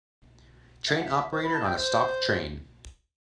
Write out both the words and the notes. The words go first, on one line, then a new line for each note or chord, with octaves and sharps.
Train operator on a stopped train.
E5
F#5
E5
C5
B5
A5
G5
C5